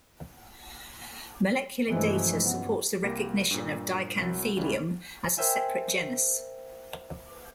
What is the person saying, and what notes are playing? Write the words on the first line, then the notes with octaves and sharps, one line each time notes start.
Molecular data supports the recognition of "Dichanthelium" as a separate genus.
G2 C3 E3 F3 G#3 A3
F#2 B3
C2 A#3 G4 A#6
G2 A#2
C2 F#3
C#2 C#3 G3 E4
A#4 C5 E5 G5 G#5